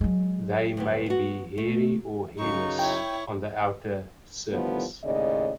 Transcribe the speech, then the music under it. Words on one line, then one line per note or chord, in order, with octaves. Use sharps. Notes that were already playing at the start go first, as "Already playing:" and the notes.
They may be hairy or hairless on the outer surface.
F#3 G#3
D2 G2 B3
B3 F#4
A3
F#2 C#3 D#4 C#6
E4 C#5 G5
A2 D3 D#3 F3 G3 B3
D#2 A2 C#3 D5 D#5